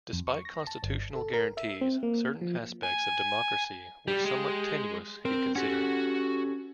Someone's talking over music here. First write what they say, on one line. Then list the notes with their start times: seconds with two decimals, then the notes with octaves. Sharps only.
Despite constitutional guarantees, certain aspects of democracy were somewhat tenuous, he considered.
0.13 F2
0.27 C#6
0.45 A#6
0.67 A5
0.83 G1
1.15 A4
1.33 A#4
1.57 E5
1.81 C4
2.03 A#3
2.41 F3
2.83 G#5
4.08 G3 G4
4.25 G#3
5.25 C4 A#4
5.56 C#4 F#4 G4 A4 F#5